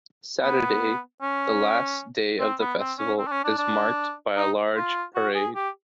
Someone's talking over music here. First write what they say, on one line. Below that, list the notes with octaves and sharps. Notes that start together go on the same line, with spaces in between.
Saturday, the last day of the festival, is marked by a large parade.
B3
C#4
C4
B3
C4
C#4
C4
D4
C#4
D4
D4
D#4
F4
F#4
G#4
G4